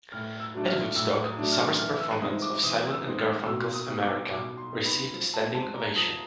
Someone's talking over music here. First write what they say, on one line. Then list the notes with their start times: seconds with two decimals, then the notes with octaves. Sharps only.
At Woodstock, Sommer's performance of Simon and Garfunkel's "America" received a standing ovation.
0.12 A2 F6
0.40 E6
0.54 F#3 A3 D4
0.69 F6
0.96 A2 E6
1.24 D#6
1.38 F#3 A3 D4
1.52 F6
1.79 E3 F6
2.00 E6
2.21 G#3 C4 D#4 D#6
2.42 D6
2.63 E3 D#6
2.91 E6
3.04 G#3 C4 D#4
3.18 F6
3.46 B2 E6
3.74 D#6
3.88 G3 B3 D#4
4.02 D6
4.30 B2 D6
4.57 C6
4.71 G3 B3 D#4
4.85 B5
5.14 F3
5.34 A5
5.55 G#3 C4 A5
5.75 A#5
5.96 F3 D#6